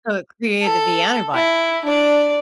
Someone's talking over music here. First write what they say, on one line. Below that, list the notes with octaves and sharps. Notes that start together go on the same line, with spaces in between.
So, it created the antibio
A4
E4
D4 D5